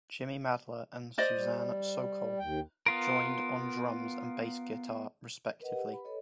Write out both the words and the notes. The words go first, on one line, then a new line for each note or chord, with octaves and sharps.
Jimmy Madla and Suzanne Sokol joined on drums and bass guitar respectively.
C5 D5 D#5
G3
D#2 G5
B3 F4 A#4
A#4 B4 D#5 F#5
G4 F#5
B4 B5
A4 C#5 D#5